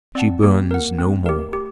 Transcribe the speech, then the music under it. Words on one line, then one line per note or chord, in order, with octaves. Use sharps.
"She burns no more."
C4 D5 F#5 A5
A#3 G4
C4
A#4 F#5
A#3
A3 C4
G4 A#4
G4